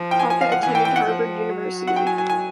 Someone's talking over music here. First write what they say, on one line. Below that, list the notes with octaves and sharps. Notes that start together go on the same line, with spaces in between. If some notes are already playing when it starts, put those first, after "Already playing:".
Kopit attended Harvard University.
Already playing: F3
G5
G#5
G#5
F5
F#5
E3 G#5
G5
G5
F#5
F3
F#3
F#5
G5
G#5
G#5
G#5